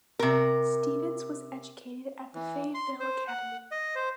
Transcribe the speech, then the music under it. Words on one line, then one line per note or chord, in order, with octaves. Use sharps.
Stephens was educated at the Fayetteville Academy.
C3 A#4
E3
C6
C5
F#5
D#5
C5